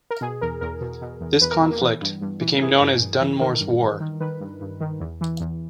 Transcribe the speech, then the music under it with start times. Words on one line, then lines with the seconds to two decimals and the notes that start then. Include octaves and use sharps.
This conflict became known as Dunmore's War.
0.11 A#4
0.21 B2 G#4
0.41 E2 A#4
0.61 E2 A#4
0.81 B2
1.01 B2
1.21 E2
1.41 E2 B4
1.51 A#4
1.61 B2
1.71 A#3
1.81 E3 B3
2.01 G2
2.22 G2
2.41 E3
2.56 A#4
2.61 E3 G#4
2.81 G2
3.01 G2
3.21 E3
3.40 D#3 A#4
3.60 G2
3.81 G2
4.00 D#3
4.20 D#3 B4
4.40 G2
4.61 G2
4.81 D#3
5.00 E2
5.21 E3
5.40 E2